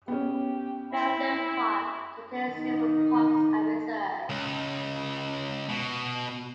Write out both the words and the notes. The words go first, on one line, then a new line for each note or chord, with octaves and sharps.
Ferryden Park contains several parks and reserves.
B3 C#4 G4
E4
D#3 D#4
C#2
B2